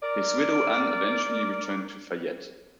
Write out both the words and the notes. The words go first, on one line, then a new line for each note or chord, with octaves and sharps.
His widow Ann eventually returned to Fayette.
A#4 D5